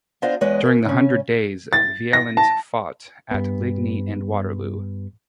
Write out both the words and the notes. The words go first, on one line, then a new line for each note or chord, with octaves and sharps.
During the Hundred Days Vaillant fought at Ligny and Waterloo.
B3 D4 F4 C5 D#5 F5
E2 G#3 B4 C#5 D#5
A#4 E5 G#5
C#3 C#4
A6
A#6
A5
G2 B3